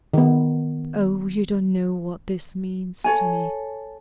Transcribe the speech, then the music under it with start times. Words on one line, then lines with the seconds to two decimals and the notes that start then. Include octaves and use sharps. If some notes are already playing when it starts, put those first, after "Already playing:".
"Oh, you don't know what this means to me."
0.14 D#3 B3
3.04 A4 C#5 G#5